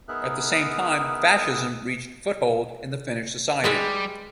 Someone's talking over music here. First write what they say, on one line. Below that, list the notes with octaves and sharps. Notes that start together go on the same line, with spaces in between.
At the same time, fascism reached foothold in the Finnish society.
B3 D#4 G#4 A#4 E5 F#6
G3 G#3 B4 E5